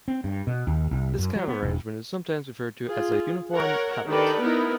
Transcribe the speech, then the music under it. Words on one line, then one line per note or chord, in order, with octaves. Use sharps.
This kind of arrangement is sometimes referred as a "uniform palette".
C4
G2
B2
D#2
C2
F#2
F#3
B3
E1
F4 G#4
A#4 C#5 F#5
D#3 D4 G4 A4 B4 D5
B3 D#4 E4 A#4